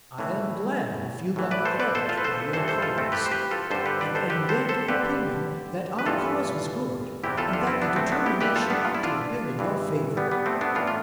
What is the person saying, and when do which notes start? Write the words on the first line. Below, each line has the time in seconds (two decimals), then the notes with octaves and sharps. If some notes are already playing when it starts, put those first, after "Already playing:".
'I am glad if you got credit by your cause, and am yet of opinion, that our cause was good, and that the determination ought to have been in your favour.
0.19 A2 E3
1.36 A2 E3
1.51 B4 D5
1.65 A4 C5
1.80 B4 D5
1.95 A4 C5
2.09 F4 A4
2.17 B4
2.24 A4 C5
2.53 G2 E3 A4 C5
2.68 A4 C5
2.82 F4 A4
2.98 A3 C4
3.12 G4 B4
3.26 C5
3.31 G4 B4
3.51 F4 A4
3.71 G2 D3 A4 C5
3.86 G4 B4
4.01 B4 D5
4.15 A4 C5
4.30 G4 B4
4.49 A4 C5
4.69 A4 C5
4.88 G2 D3 G4 B4
5.99 B4
6.06 G2 E3 F4 A4
7.23 E2 C3 E3 E4 G4
7.38 F4 A4
7.53 D4 F4
7.67 C4 E4
7.82 B3 D4
7.96 A3 C4
8.07 C4
8.12 B3 D4
8.26 E4 G4
8.40 G2 E3 G4 B4
8.56 F4 A4
8.70 B3 D4
8.85 F4
8.95 E4
9.03 D4 F4
9.59 G2 E3
10.17 G3 B3
10.31 G3 B3
10.46 A3 C4
10.61 B3 D4
10.75 A2 E3 D4 F4
10.87 F4